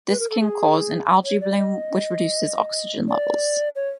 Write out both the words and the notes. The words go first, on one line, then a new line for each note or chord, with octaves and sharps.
This can cause an algae bloom which reduces oxygen levels.
B4
A#4
A4
G#4
C#5
D5
D#5
D5
C#5